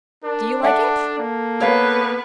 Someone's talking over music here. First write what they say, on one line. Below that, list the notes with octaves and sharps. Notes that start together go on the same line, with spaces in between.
Do you like it?'
D4 A#4
D4 A4 E5 F#5
A#3
B3 A#4 B4 C#5 F5